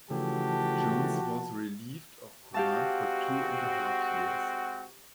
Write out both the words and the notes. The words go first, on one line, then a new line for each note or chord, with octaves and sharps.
Jones was relieved of command for two and a half years.
C#3 E3 F3 A3 F#4 G4 A5
G#3 C4 F#4 G4 F5 A5